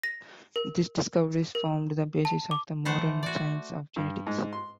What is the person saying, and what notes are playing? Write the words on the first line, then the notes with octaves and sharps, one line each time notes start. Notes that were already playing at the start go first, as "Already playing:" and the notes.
These discoveries formed the basis of the modern science of genetics.
A#6
A#4
A#4
A5
D6
E3 A3 C5 F#5
F#4 D5
G2
G#2
C6